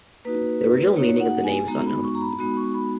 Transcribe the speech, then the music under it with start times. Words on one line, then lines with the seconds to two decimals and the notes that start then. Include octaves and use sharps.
The original meaning of the name is unknown.
0.25 A#3 D#4 F#4 B4
0.61 B4
0.96 A#3 D#4 F#4 C#5
1.20 F#5
1.44 G#5
1.67 G#3 B3 D#4 F#4 A#5
1.86 B5
2.04 C#6
2.15 A#5
2.21 B5
2.39 G#3 B3 D#4 F#4 B5
2.57 C#6
2.74 B5